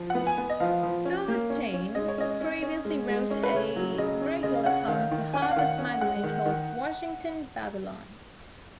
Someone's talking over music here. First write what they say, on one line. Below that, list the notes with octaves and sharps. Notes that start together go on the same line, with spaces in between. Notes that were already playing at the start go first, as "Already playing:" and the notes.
Silverstein previously wrote a regular column for "Harper's Magazine", called "Washington Babylon".
Already playing: F3
B3 F#5
G#5
B3
D#5
F3 F5
F3
C#4
A#3
C#4
C#4
G#3 D#5
C#5
C#4 D#5
C#4
C#4
G#3
G#3
C#4 C#5
B4
C#3 C#5
F#3
C#3 D#5
C#4
C#3 D#5
F5
C#4 F#5
D#3 F5
D#3
C#4 G#5
F#5
F5
D#3 F#5
C#4
G#3 F#5
D#3
D#3